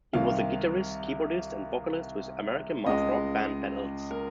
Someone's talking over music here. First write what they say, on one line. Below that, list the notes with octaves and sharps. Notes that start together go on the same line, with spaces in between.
He was a guitarist, keyboardist and vocalist with American math rock band Battles.
C2 C3 D#3 F5
C#2 C#3 G#3 D#5
A#4